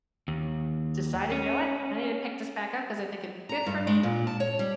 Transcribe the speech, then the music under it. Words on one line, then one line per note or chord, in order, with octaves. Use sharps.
decided, "You know what, I need to pick this back up 'cause I think it'd be good for me,"
D#2
C#4
A#5
G2
G#3
A#2
A5
C#5
G3